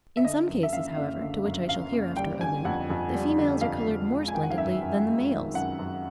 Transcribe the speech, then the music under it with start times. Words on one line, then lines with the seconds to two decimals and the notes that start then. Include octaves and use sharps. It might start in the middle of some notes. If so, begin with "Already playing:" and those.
In some cases, however, to which I shall hereafter allude, the females are coloured more splendidly than the males.
0.17 E5
0.24 D3 D#5
0.48 F#2
0.63 E5
0.72 F#1 F5
0.97 F#1
1.21 D3
1.45 F#2
1.68 F#1 F5
1.93 F#1
2.17 G3 G5
2.41 D3 G#5
2.65 F2 F#5
2.90 F2
3.14 G3
3.38 D3
3.61 F2 F5
3.87 F2
4.10 G#3
4.28 G#5
4.34 D#3 G5
4.43 F#5
4.51 F5
4.58 F#2 E5
4.82 F#2
5.06 G#3
5.31 D#3
5.54 F#2 F#5
5.79 F#2